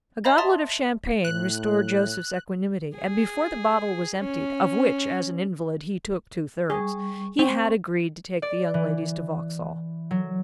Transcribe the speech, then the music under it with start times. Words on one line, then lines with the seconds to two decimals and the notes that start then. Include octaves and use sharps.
A goblet of Champagne restored Joseph's equanimity, and before the bottle was emptied, of which as an invalid he took two-thirds, he had agreed to take the young ladies to Vauxhall.
0.25 C#5 D#5 F5 A#5 B5
0.38 E5 A5 A#5 C6 D#6 A6
1.25 A2 F#6
2.97 G#4
4.19 C#4
6.70 G3 G#4 C#6
7.39 C4 C#6
8.42 D5
8.74 E3
10.11 F#3